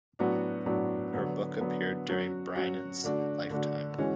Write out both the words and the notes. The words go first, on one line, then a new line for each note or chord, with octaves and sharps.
Her book appeared during Bryant's lifetime.
A2 F#3 B3 D4 F#4
A2 F#3 B3 D4 F#4
D3 F#3 B3
D3 F#3 B3
F#3 C#4 F#4
F#3 C#4 F#4
D3 A3 D4 F#4
D3 A3 D4 F#4
E3 G#3 C#4 F#4